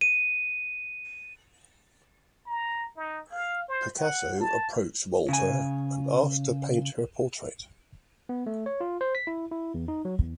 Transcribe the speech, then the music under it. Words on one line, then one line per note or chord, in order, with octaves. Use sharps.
Picasso approached Walter and asked to paint her portrait.
D#7
A#5
D#4
F5
C5
F#5
A5
C#3 G#5
B3
A3
C#5
F4
C5
B6
E4
E4
E2
D#4
F#3
E2